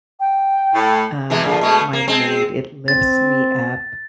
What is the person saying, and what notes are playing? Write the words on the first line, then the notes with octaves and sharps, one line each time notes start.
um, my mood. It lifts me up.
G5
A2
C3 E3 G#3
A#2 D3 F3
B2 G#3 A3
A#3
G#3 C4
C4 A6